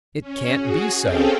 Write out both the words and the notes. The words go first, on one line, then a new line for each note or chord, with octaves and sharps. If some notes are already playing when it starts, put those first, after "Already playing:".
It can't be so!
C#4
F#4 G#4
C4 C#4 G#4 A4 F5 G5